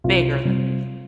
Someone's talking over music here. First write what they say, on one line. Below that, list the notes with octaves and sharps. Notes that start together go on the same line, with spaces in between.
bigger than that.
C2 F4
C3 G3